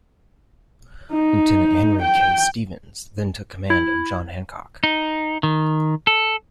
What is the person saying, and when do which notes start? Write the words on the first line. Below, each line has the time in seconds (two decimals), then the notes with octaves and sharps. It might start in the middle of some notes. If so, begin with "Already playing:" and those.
Lieutenant Henry K. Stevens then took command of "John Hancock".
1.12 D#4
2.02 G5
3.70 E4
4.84 D#4
5.43 D#3
6.07 A4